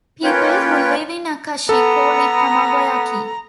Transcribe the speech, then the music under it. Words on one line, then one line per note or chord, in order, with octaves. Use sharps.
People who live in Akashi call it tamagoyaki.
A#3 C#4 F4 B4 C#5 G5
B3 A4 A#5